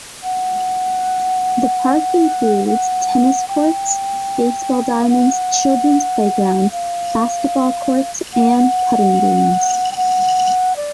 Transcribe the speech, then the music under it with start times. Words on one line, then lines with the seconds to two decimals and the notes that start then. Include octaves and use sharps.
The park includes tennis courts, baseball diamonds, children's playgrounds, basketball courts, and putting greens.
0.23 F#5
2.67 F#5
3.48 G5
5.02 F5
5.10 F#5
6.71 F5
8.34 F#5
9.92 G5
9.96 F#5
10.76 D5